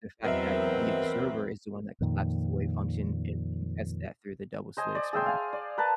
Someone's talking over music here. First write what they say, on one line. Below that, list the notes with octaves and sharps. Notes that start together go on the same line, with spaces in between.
the fact that the observer is the one that collapses the wave function, and we can test that through the double-slit experiment.
E2 F#3 C4 A#4 B4 D#5 E5
F2 A#2 D#3
C5 D#5 G#5
D5
G#4 E5 G5 C6
F5 G#5
D5
A#4 B4 A5